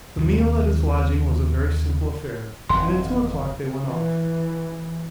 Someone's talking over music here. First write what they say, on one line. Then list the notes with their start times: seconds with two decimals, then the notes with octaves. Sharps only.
The meal at his lodging was a very simple affair, and at two o'clock they went off.
0.17 D#2 C3 G3
2.69 G1 F2 E3 C6
3.85 E3